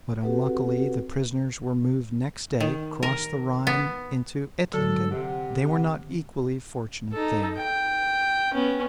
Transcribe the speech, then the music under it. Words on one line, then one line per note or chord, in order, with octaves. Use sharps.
But, unluckily, the prisoners were moved next day across the Rhine into Ettlingen. They were not equally fortunate there.
C4 F#4 G4 A4 B4 F#5
D#3
A#4
B3
D3 F#3 A4
C3 F#5
D#4 A4
G5
B3 C#4